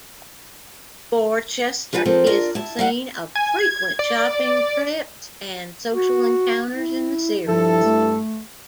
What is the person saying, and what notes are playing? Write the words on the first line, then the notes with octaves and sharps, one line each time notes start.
Borchester is the scene of frequent shopping trips and social encounters in the series.
F3 D4 B4 G#5 A#5
F2 F3 C4 A4 A#4 A#5
D4 F4 A#4 D5
E4 A5
G3 F5 F#5
G#5
G#6
D5
F#4
E4
G2 F3 E4 A4
A3